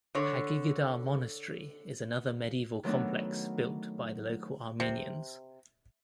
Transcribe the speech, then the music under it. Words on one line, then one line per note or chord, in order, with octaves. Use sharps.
Hagigadar Monastery is another medieval complex built by the local Armenians.
D3 C#5
D#3 F#3 A3 B3 D4 D#4
C3